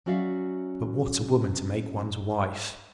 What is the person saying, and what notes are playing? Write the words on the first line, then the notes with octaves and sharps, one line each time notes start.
But what a woman to make ones wife!
F#3 C#4 F#4 D5 E5 F5